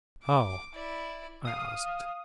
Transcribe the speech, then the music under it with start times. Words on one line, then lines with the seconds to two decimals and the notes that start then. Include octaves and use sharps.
"How?" I asked.
0.23 D6
0.74 E4 D5
1.45 F5 D#6